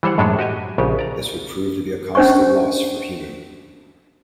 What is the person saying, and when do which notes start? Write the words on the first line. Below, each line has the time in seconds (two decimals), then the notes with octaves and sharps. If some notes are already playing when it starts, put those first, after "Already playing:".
This would prove to be a costly loss for Hemu.
0.03 E3 G3 C5 C#5 F#5
0.18 F#2 A2 F#3 G#3 D4 A4
0.39 F#4 G4 D#5 G#5
0.78 A#1 C#3 G4
0.99 D5 A#5
2.15 C#4 D4 C5 G#5 C#6